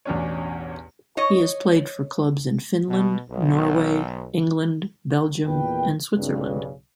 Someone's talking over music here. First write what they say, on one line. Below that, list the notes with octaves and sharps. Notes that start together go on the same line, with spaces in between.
He has played for clubs in Finland, Norway, England, Belgium and Switzerland.
A1 E2 B2 C#4 D4 C#5
C#5 D#5
B2
B1
E2 A#2 D#3 B4 G5
B1 G2 C#3